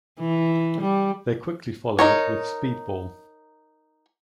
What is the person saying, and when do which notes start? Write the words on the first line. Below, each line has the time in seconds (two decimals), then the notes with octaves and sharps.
They quickly followed with "Speedball".
0.20 E3
0.81 G3
1.99 D#4 A#4 C#5